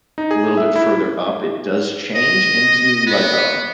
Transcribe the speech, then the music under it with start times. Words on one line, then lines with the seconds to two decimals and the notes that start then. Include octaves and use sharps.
a little bit further up, it does change into, like, a
0.18 D#4
0.31 G#4
0.57 E5
0.76 E4
2.15 D#5
3.06 B3